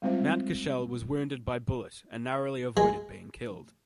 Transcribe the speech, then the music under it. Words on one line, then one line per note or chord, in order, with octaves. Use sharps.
Mountcashel was wounded by bullet and narrowly avoided being killed.
G3 G#3 C4 F4 C5 E5
G#3